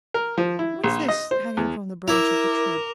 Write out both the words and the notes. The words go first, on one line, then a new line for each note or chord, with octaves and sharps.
What is this hanging from the branch of the tree?
A#4
F3
E4
A#1
D#5
C5
E2
E4 A#4 D6 F7